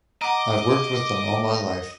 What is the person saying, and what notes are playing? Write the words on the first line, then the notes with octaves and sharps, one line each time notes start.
I've worked with them all my life.
D#5 F#5 A#5 D6